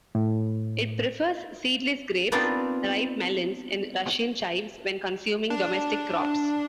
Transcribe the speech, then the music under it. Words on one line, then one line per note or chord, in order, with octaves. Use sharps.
It prefers seedless grapes, ripe melons and Russian chives when consuming domestic crops.
A2
B3 C4 D4 D#4 F4 D5
D4